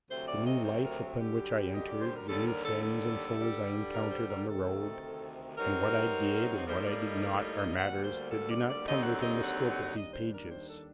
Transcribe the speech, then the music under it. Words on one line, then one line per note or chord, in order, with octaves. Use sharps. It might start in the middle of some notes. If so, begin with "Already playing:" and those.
The new life upon which I entered, the new friends and foes I encountered on the road, and what I did and what I did not, are matters that do not come within the scope of these pages.
D2 C3 F#3 C5
D5
D#5
C5
A#4
F#2 D3 G3 D4 G4
D#5
D5
C5
A#4
D#2 D3 G3 A4
A#4
A4
A4
G2 D3 G3
A#4
C5
A#4
D2 C3 D#3 A4
G2 F#3 C4 D#4 A#4
A2 G3 A#3 D#4 C5
D5
D#5
D5
D#5
D#5
D2 D3 G3 A#3 F#5
C5
A4
D5
D5
D#2 D3 F#3 C4 D#4 D#5
F#5
D#5
F#5
F#5
D#2 D#3 G3 D4 D#5
C5
A#4
C5
A4